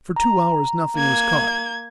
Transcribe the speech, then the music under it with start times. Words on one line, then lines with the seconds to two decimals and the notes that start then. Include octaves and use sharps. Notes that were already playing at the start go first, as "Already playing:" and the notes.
For two hours nothing was caught.
0.16 A#5
0.96 A#3 G#6